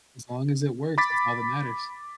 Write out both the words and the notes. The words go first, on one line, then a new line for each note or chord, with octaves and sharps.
As long as it works, that's all that matters.
B5 D6 A6 B6